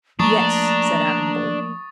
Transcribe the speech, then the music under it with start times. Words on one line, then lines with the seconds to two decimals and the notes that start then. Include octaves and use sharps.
"Yes," said Adam boldly.
0.19 F3 A3 A#3 D4 A#5 C#6 D#6 A6